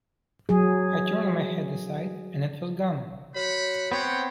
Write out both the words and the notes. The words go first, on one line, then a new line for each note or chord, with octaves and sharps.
I turned my head aside, and it was gone.
F#3 G#4
F#3 C5 F#5 B5
B3 C4 C#5 F#5 G5